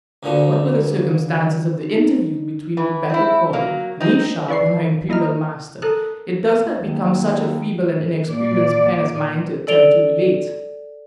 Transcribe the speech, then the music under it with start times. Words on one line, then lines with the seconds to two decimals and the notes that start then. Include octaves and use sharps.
What were the circumstances of the interview between Rebecca Crawley, nee Sharp, and her Imperial Master, it does not become such a feeble and inexperienced pen as mine to attempt to relate.
0.23 D2 A#2 D3
1.94 D#4
2.77 E3
3.10 C4 E4
3.53 F#3 A#3
4.00 C4 D#4
4.48 E4 B4 D5 C#6 C7
4.77 E3
5.09 A#3 E4 D#5 A#5 F6
5.82 A4 A#4 D#6 F#6
6.76 D#2
8.27 A#2 D5
9.67 A4 D5 D7 F7 G7